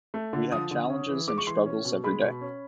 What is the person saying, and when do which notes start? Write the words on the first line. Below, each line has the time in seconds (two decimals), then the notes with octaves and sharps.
We have challenges and struggles every day.
0.14 A3
0.33 D3
0.52 F3 D#6
0.71 D3
0.90 C#4
1.09 E3
1.28 G#3 D6
1.38 C#6
1.47 E3 C6
1.66 C#4
1.85 B2
2.04 G#3 B5
2.22 B2
2.41 C#4